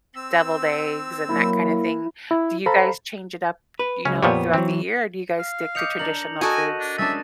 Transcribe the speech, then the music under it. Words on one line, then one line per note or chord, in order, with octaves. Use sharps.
deviled eggs and that kind of thing. Do you guys change it up, you know, throughout the year, or do you guys stick to traditional foods?
C4 E6
F#3 A#3 E4 A#4
E4
A4 C5 F5 A#5 B5
B4
C#2 C#3 F#3 C#4
F2 A#2 F3 G3 B3 C#5
E3 F#3 C4
F5
D#5 D6 G6 C#7 F7
D4 A#4 F#7
F#4 A4 A#4 D#5 G#5 F#6 A#6 D#7
D4
G#3 C#4 D4 E5 A5 A6